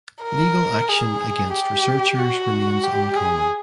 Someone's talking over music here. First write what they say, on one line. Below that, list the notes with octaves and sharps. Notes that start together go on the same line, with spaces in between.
Legal action against researchers remains uncommon.
A#4
G#4
G4
F#4
G4
G#4